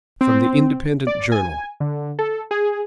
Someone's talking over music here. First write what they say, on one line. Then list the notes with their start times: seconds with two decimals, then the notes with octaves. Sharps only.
From The Independent Journal.
0.21 C4
1.07 D5
1.32 G#5
1.80 D3
2.19 A4
2.51 G#4